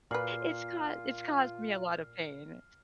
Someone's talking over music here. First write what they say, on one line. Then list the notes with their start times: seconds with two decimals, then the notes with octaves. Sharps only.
It's cau it's caused me a lot of pain.
0.11 A#2 F4 F#4 B4 F6 C7